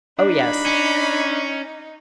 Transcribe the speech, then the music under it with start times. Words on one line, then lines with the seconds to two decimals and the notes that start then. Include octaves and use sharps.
Oh yes!
0.19 D4 D#4 B5
0.66 C#4